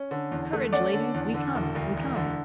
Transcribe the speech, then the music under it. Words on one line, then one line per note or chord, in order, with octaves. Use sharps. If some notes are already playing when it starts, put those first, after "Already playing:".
"Courage, lady; we come! we come!"
Already playing: C#4
D3
E2
A3
C#4 D5 F#5
D3
E2
D3
E1
D2
E1
D3